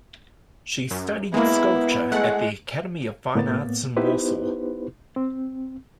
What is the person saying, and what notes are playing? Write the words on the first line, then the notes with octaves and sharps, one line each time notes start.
She studied sculpture at the Academy of Fine Arts in Warsaw.
F#2
G#3 A#3 B3 E4
G#3 A3 F#5
A2 A#3 B3 A6
B3 D#4 E4 G4 B4 C5
C4